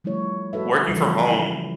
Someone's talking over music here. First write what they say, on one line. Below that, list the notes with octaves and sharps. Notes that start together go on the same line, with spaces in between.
working from home
F3 G3 A3 E4 C#5
F#4 A4 B4 E5
C#3 E3 F3 G3
E4